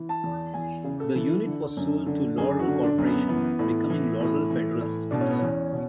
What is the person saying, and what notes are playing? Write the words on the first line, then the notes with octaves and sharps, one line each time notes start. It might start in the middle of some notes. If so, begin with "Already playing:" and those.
The unit was sold to Loral Corporation, becoming Loral Federal Systems.
Already playing: E3
A5
E2
E2 G#5
C#3
A4
E3
D3
F#2
D3
F#2 G#4
F#4
D3
D4
F#2
B3
E3 B3
A2
E3
A2
E3
A2
B2 D4
C#4
B3
E2 C#4
B2